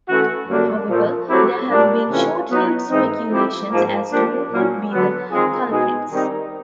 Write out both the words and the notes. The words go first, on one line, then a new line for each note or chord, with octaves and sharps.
However, there have been short-lived speculations as to who could be the culprits.
E3 A3 C#4 F#4
F#2 D3 G3 A#3 D4
A#2 F3 A3
F#3 A3 C4 E4 G4
A#2 G3 A#3 D4
C3 E3 A3 C#4 F4
F#3 B3 D#4
G#2 E3 G#3 C4 D#4
F3 A3 C4 E4 G4
G#2 F3 A#3
F3 A#3 D4 G4
A#2 F#3 A#3 C#4
D3 F#3 B3
D#3 G#3 C4 F4 G#4
B2 G#3 B3 D#4 G#4
D#3 G3 C4 D#4